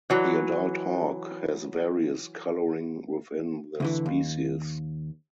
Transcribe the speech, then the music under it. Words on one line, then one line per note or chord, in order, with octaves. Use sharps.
The adult hawk has various colouring within the species.
E3 F#3
D2 D3 E3
D#2